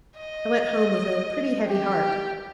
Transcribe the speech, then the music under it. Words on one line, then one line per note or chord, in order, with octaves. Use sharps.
I went home with a pretty heavy heart.
D#5
G4